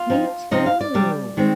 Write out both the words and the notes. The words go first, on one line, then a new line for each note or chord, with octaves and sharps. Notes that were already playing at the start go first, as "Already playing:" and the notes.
Me too,
Already playing: F4
F3 C4 D#4
C3 F3 C4 D#4 D#5
F5
D5
C3 G3 D4
D#3 G#3 C4